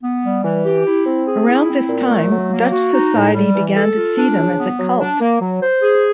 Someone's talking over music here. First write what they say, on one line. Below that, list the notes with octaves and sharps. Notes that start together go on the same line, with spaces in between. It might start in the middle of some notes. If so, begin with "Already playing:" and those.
Around this time, Dutch society began to see them as a cult.
B3
G3
E3
G4
E4
C4
G#4
E4
C4
A#2
A3
F#3
A#3
F#4
D#4
A2
G3
E3
A4
F4
D4
C#3
B3
F#3
D4
A#3
F#3
C5
G#4